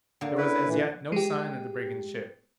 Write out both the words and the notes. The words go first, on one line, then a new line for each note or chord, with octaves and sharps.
There was as yet no sign of the brigand ship.
D3 A#3
E4 B4
A#2 E3
G#3 G4